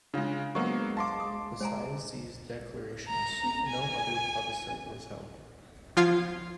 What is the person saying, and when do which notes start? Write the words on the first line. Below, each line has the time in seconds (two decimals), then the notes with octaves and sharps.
Besides these declarations, no other plebiscite was held.
0.14 C#3 G#3 D4 F4 F5
0.55 F#3 G#3 A#3 B3 A#4 C5 C#6
0.97 F5 A5 C6 D6
1.20 D#6
1.61 G#3 C5 G#5 A#5
3.08 A#5
3.67 G#5
5.97 F3 F4 F5 G#6 C7